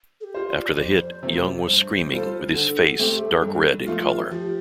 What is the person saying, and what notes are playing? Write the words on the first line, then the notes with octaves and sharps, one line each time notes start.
After the hit, Young was screaming with his face dark red in color.
A4
G4
F4 C5
D5
F2 C5
C3 F3 A3
G2 C5
G3 F4 A4
D3 A4
A3 C4 G4
G2
F3 A3 F4
F3 G4